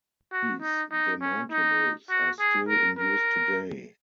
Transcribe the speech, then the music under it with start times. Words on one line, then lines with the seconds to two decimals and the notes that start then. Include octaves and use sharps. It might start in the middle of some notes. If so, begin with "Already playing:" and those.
These demountables are still in use today.
0.32 F#4
0.62 D#4
0.92 D#4
1.21 C#4
1.51 D#4
2.09 F#4
2.39 G#4
2.69 A#4
2.98 A#4